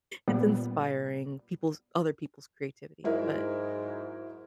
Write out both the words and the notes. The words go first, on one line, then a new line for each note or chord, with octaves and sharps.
it's inspiring people's other people's creativity, but
A#2 G3 B3
G#2 F#3 E4 A#4